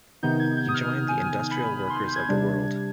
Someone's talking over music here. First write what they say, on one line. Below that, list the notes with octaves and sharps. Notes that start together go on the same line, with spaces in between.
He joined the Industrial Workers of the World.
C3 D#3 B3 D#4 G6
G#6
G6
D#6
F6
D#6
G#5
G#5
B5
B5
C6
G6
G#6
C3 G3 D4